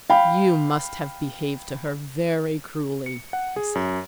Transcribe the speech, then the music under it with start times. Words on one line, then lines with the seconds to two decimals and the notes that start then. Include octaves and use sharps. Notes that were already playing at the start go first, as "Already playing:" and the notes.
"You must have behaved to her very cruelly," he said.
0.10 F5 G5 B5
3.06 C#7
3.33 F#5
3.56 G#4
3.75 F#2